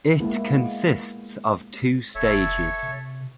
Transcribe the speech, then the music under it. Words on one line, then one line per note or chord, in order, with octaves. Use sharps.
It consists of two stages.
G#3 A#3 B3 E4
F1 A4 C#5 E5
C3